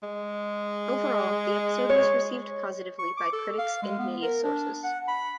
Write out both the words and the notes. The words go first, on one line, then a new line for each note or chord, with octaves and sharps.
Overall, the episode was received positively by critics and media sources.
G#3
C#5
C#6
D6
A4
F5
G#3
B3
A#4
D4
F#5
B5